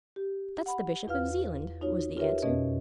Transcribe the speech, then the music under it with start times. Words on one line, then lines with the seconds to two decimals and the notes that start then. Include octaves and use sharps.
"That's the Bishop of Zealand," was the answer.
0.16 G4
0.66 F#5 B5
1.07 E2 F4 B4 F5 F6
1.81 D#4 F4 F#4 C#5
2.17 F4 G4 A#4 B4 C#5 E5
2.42 F2 B2 C#4 D#5